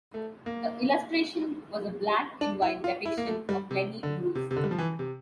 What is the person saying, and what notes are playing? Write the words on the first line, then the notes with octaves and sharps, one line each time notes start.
The illustration was a black and white depiction of Lenny Bruce.
A3
A#3
D4
E4
F4
E4
A#3
A3
G3
C3
D3
C3
C3
D3
G3
F3
E3
C3